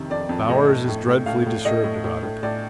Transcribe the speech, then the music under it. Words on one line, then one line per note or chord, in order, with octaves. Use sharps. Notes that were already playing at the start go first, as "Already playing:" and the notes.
Bowers is dreadfully disturbed about it.
Already playing: F2 C3 D#3
F2 D5
F2
A2 D#5
A2
A2
A2
A2 F5
A2
A2 D#5
A2
A2
A2
A2 D5